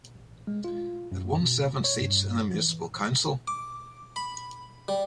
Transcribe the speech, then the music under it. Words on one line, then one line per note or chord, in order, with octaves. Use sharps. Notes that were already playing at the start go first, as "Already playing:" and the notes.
It won seven seats in the municipal council.
A1
G#3
F4
F#2
B2
C#5
G2
E3
D6
B5
G3